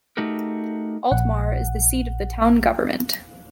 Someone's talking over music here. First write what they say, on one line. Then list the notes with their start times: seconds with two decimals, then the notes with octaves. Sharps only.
Altmar is the seat of the town government.
0.17 A3 D#4 F#4 G4 A#4
1.11 A#1 F#5